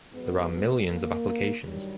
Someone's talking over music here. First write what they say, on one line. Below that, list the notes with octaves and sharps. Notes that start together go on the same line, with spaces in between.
There are millions of applications.
G#2 D#3 F#3 B3
A#3
G2 D#3 F#3 G3